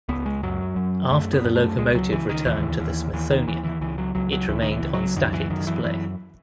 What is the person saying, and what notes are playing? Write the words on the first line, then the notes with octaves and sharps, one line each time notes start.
After the locomotive returned to the Smithsonian, it remained on static display.
C#2 B3
G#3
F#2 F#3
F#2
F#2 A3
B3
F#2
A3
C#2 G#3
F#3
C#2 E3
D#3
D#2 E3
D#2
D#2 E3
D#3
D#2 E3
E3
C#2 E3
F#3
C#2 F#3
F#3
C#2 E3
D#3
E3
C#2
F#3
F#2 D#3
E3
F#2 D#3
E3
F#2 E3